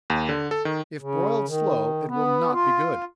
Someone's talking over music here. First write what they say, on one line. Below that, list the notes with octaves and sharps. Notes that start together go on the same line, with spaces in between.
If broiled slow, it will not be good.
D#2
D3
A4
D#3
C#3
D#3
B3
F4